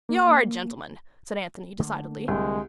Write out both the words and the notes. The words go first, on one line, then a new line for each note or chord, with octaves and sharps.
"You're a gentleman," said Anthony, decidedly.
A#3
D3 A3 A#3
C2 G#3